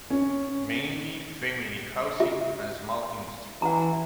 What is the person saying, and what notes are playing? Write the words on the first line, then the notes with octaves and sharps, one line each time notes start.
Mainly family housing and small industry.
C#4
F4 E5
E3 F#5 A#5